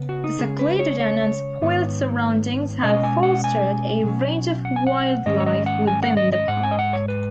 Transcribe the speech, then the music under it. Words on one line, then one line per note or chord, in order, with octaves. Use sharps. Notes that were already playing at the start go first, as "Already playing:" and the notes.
The secluded and unspoilt surroundings have fostered a range of wildlife within the park.
Already playing: C#3 B3
F#4
D#4
C#3 G#3 C#4 G#4
B4
C#5
C#5
G#2 D#3 B3
B2 G#3 C#4 D#5
G#5
F#5
G#5
B2 F#3 C#4
F#5
G#5
F#5
G#2 D#3 G#3 C#4 D#5
C#5
D#5
F#5
G#5
F#5
D#5
D#5
G#2 G#3 F#5
G#5
D#5
F#5
C#5
B4